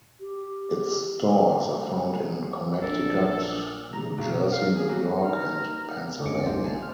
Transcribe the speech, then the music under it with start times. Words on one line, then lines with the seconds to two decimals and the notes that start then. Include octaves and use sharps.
Its stores are found in Connecticut, New Jersey, New York, and Pennsylvania.
0.20 G4
1.99 F#5
2.82 A#1 D4 A4 A#4
3.93 A#5
4.18 B1
4.52 F5
4.76 G#4
4.89 F#3
5.25 D#4 A#4 B4 A#5 F6
6.26 G1 E2 G#3 C#4 D6 C#7
6.45 A1 C3 D#4 F4 C5
6.64 G#5 A5
6.79 C5 F6